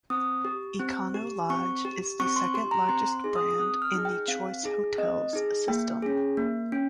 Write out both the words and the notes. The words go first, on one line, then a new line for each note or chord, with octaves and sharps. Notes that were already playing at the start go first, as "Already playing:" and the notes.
Econo Lodge is the second-largest brand in the Choice Hotels system.
C4 D#6
G4
C4
G4
C4 C#6
G4
C4 C#6
C6
G4 C6
A#5
C4 C6
C6
D#4 G#4
D#6
C4 D#6
F6
D#4 G#4
G5
C4 F5
D#4 G#4
C4 D#5
D#4 G#4
A#3 G5
C#4 G#4
A#3
C#4